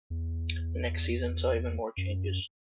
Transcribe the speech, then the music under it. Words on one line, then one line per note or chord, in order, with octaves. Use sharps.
The next season saw even more changes.
E2
F#2